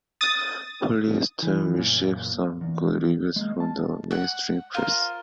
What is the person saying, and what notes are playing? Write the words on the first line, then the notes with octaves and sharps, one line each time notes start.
"Polyester" received some good reviews from the mainstream press.
D#6 A6
E3
F#2 A#2
E2
G#3 A#3
A5
F#5 F#6
F4 A#4 C5